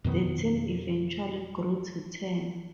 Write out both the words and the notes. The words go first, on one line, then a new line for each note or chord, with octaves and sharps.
The team eventually grew to ten.
F2 B2 D#3 B3